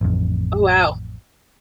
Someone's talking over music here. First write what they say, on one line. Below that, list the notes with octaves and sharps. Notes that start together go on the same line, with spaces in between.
Oh, wow.
A1 F2